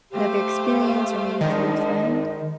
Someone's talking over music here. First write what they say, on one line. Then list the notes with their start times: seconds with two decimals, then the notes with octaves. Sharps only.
another experience or maybe from a friend?
0.11 A3 G4 C5 F5
1.41 D3 D#3 F3 G#3 D#5